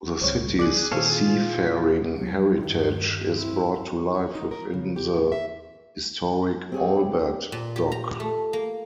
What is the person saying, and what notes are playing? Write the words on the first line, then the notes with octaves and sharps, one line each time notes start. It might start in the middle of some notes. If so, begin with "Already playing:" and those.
The city's seafaring heritage is brought to life within the historic Albert Dock.
G#1 C#2 G3 C4 C#5
G#4 D5 F#6
A#2 D#3 C4 A4 C#5 F5
F4
B6
F#3
G2 D#3
C4 E4
C#5
D#4
A#4
C#3
G4
A2
E5
C4 G4 G#4 C#5
A#2
G4
A#5
A3
A#3